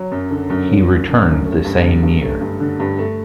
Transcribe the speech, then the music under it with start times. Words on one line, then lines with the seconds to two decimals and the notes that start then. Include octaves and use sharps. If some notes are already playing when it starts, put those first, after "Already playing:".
He returned the same year.
Already playing: F#3
0.12 F#2
0.30 D3
0.50 F#2
0.69 F#3
0.88 F#2
1.07 D3
1.27 F#2
1.46 A3
1.65 G2
1.84 D3
2.03 G2
2.22 A3
2.41 G2
2.60 D3
2.80 G2
2.99 A3